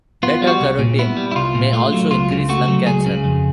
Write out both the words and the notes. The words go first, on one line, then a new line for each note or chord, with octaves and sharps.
Beta-carotene may also increase lung cancer.
B3 F4
G3
F#4
C2
A#2
B3 E4
G3
E4
C2 F4
A#2
A3 F4
F#3
C#2 F4
C#3
A3 F#4
F#3
C#2 G#4
C#3
F2